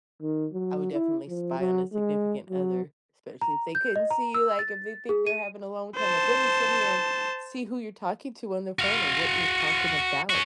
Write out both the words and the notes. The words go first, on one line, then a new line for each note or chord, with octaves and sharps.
I would definitely spy on a significant other, especially if they couldn't see you, like, if they think they're having a long time, like, let me sit here and see who you're talking to on the phone or what you're talking about
D#3
F#3
E4
F3
F#3
G#3
F#3
A#5
G6
D#5
A#5
E6
A6
G#4
D#7
C5 A5
F#4 F5
C#4 F#4